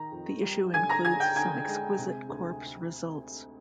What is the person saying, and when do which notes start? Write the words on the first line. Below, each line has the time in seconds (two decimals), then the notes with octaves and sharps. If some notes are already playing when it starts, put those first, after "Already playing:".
The issue includes some exquisite corpse results.
Already playing: D#3 A#5
0.12 F2
0.43 G3
0.74 D3 G#5 G#6
0.89 A#5 A#6
1.05 D3 G#5 G#6
1.20 G5 G6
1.36 D3 G#5 G#6
1.67 G#3
1.98 C3
2.29 D2